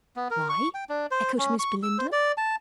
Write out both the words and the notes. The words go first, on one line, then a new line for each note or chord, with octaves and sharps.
"Why?" echoed Miss Belinda.
B3
A#4
C#6
G5
D4
C5
C#4
C#6
E6
C5
D5
A5